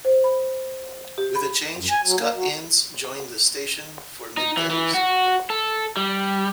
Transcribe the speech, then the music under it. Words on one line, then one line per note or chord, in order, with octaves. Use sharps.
With the change, Scott Innes joined the station for middays.
C5
B5
G4
B5
F#2
G#5
F#3
A#3
F#3
D#4
E3
E3
F#4
A4
G3